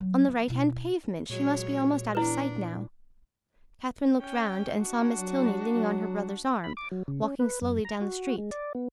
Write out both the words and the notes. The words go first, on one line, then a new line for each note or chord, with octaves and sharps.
"On the right-hand pavement--she must be almost out of sight now." Catherine looked round and saw Miss Tilney leaning on her brother's arm, walking slowly down the street.
F#3
F3
B2 E4
A#2 F#3 G#3 C#5
E2 D4 E4 B4
C#4 G5
D4 F#4
F#3
F#3
B5
D6
F#3
C#3
C#4
B4
F#2
A#5
F#4
G#3
D5
B3